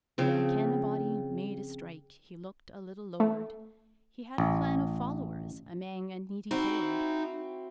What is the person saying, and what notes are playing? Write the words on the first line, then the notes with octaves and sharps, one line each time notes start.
I ken a body made a strike. He looked a little lord. He had a clan o' followers Amang a needy horde.
C#3 F3 C4
A3
A1
C4 D#4 E4 F#4